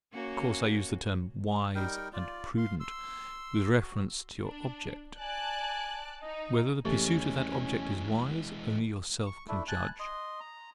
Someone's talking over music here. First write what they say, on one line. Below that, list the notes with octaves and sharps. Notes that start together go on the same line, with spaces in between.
Of course I use the terms "wise" and "prudent" with reference to your object. Whether the pursuit of that object is wise, only yourself can judge.
A#3 C#4 F#4
G3 D#4 A#4 G5
F4 D5
F5 C6
C6 E6
F#4
D4
D5 G#5 A5 F#6
D#4 D#5
E2 E3 G#3 A3 C#4 G4 A6
C#6
A3 D4 E4
G#5 A5 F#6
D#5 C6
A#5